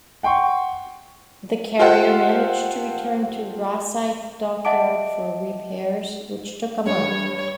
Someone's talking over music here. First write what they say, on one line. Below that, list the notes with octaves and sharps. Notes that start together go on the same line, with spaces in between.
The carrier managed to return to Rosyth Dockyard for repairs, which took a month.
F#5 G5 C6 C#6
F4 G4 A4 C5 F5 F#5
D#5 E5 F#5 A5 D6 D7
G2 A3 C#5
C#5